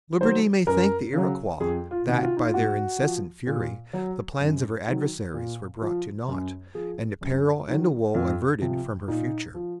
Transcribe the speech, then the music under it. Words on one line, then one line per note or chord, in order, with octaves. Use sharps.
Liberty may thank the Iroquois, that, by their insensate fury, the plans of her adversary were brought to nought, and a peril and a woe averted from her future.
D#3 F#3 C5
F#2 A#4
C#3 F#3
F2 G#4
F4
C3 D#3
F#4
F4
D#4
F4
G#2 F#4
F3
A#2
F#3
F#2
D#3 F#3
A#2
F3
F#2
F3 G#4
F#2
D#3 F#3
F2
C3 F3
A#2 D#4
F3